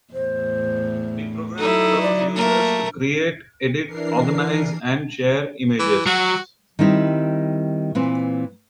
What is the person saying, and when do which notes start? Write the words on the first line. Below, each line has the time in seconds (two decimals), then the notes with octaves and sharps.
The program allows users to create, edit, organize and share images.
0.13 E2 A2 C5
1.58 F#3 D#4 E4 A4
2.02 D5
2.36 A3 A#3 A#4
3.85 E3 D4 A#4 C7
5.79 E3
6.06 F#3 F#4
6.79 D#3 G3 C4 D#4 E4
7.95 A#2 E3 C4